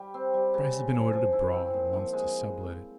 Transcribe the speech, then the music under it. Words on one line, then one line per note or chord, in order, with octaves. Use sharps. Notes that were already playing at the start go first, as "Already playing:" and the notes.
Bryce has been ordered abroad, and wants to sublet it.
Already playing: G3
C4
G3
C#3
C#3
F3
F3
E4
C4
A#2
F3
G#3